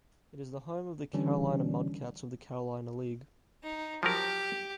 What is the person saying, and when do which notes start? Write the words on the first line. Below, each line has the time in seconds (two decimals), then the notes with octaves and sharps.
It is the home of the Carolina Mudcats of the Carolina League.
1.13 D3 E3 G3 C#4 D4
3.63 D#4
4.03 F3 F#3 G4 A#4